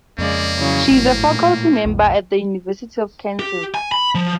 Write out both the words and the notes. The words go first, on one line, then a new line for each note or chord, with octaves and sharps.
She is a faculty member at the University of Kansas.
F2 C#3 G#3 A#3 D5
C#3 E3 F#3
G#1 A2
A#2
B1 F2
G4
G#5
B5
F3